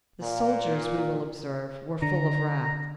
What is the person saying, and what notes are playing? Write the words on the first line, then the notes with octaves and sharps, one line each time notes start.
The soldiers, we will observe, were full of wrath.
A#2
D3 A#5